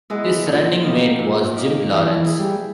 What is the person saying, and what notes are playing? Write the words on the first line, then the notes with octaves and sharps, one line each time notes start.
His running mate was Jim Lawrence.
G#3 B3 E4
A#2
A#3 D#4 G4
A#2
A#3 D#4 G4
E3 A#3
E3
E4 G#4
G3